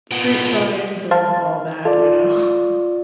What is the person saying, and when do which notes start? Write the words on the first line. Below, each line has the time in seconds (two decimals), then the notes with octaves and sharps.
street signs and all that, you know.
0.11 A#2 B3
1.11 C5 F5 A5
1.85 F4 A4 D5